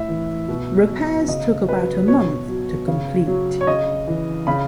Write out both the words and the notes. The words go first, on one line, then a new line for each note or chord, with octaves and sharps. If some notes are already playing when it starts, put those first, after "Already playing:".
Repairs took about a month to complete.
Already playing: A2 E5
E3
B2
F#3
C#3 D#5
F#3 B4
B2 C#5
F#3
C#3
F#3
C#5
C#3 D#5
E3
C#3 B5